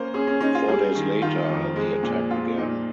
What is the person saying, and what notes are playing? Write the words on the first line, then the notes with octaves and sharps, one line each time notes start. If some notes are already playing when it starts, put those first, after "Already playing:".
Four days later, the attack began.
Already playing: A#3 C#4 C5
C#4 G#4
C#4
C#4 D#4
F4
G3 G#4
D#3
D#3 F4
F2
G#3
A#2
A#2 F4
A#2 D#4